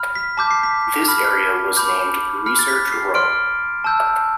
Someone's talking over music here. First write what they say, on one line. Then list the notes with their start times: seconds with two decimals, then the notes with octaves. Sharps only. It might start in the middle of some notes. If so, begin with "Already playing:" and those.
This area was named "Research Row".
Already playing: B5 F6
0.15 B6
0.37 A5 D6 G6 B6
0.51 C7
0.63 B6
1.08 B5 F6
1.77 B5 D6 G6
2.46 B5 F6
2.59 A6
2.68 B6
2.92 C7
3.14 C6 F6 D7
3.84 A5 E6 G6